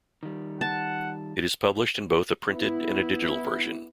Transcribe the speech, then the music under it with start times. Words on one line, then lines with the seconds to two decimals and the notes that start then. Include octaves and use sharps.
It is published in both a printed and a digital version.
0.23 D#3 G3
0.61 F#5 A5
2.49 B3 E4